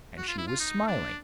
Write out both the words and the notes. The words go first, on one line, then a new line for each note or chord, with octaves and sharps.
And she was smiling.
F#4
F4
E4
F4
D#4
D4